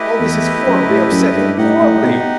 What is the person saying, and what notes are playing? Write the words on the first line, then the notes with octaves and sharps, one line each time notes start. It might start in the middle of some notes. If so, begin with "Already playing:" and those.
All this is horribly upsetting, horribly.
Already playing: A3 E4 G4 B4 D#5
E2
F#2
A2
F#2
G2
A2 D#4 G4 D#5 F#5
A2
B2